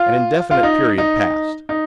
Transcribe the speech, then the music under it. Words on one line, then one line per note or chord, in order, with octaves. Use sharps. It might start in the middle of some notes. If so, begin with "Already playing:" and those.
An indefinite period passed.
Already playing: F4
F4
D#4
D#4
D#4